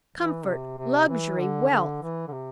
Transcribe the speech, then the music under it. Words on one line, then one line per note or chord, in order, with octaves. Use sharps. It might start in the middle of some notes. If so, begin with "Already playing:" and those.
Comfort, luxury, wealth!
E3
C3
C3
E3
D3
D3
E3
D3
C3